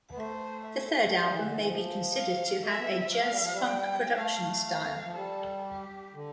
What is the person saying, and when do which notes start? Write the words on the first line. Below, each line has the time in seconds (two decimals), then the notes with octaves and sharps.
The third album may be considered to have a jazz-funk production style.
0.11 B3
0.17 A3 C5
0.68 E5
1.06 A3
1.18 G3
1.31 E3
1.42 D3
1.59 E3
1.66 F3
2.16 F5
2.66 A3 E5
2.79 B3
2.91 G3
3.03 F3
3.16 A3 F5
3.29 G3
3.41 F3
3.53 G3
3.67 G5
4.16 A3 F5
4.65 F5
5.05 F3
5.15 G3 A4
5.66 G4
6.14 D3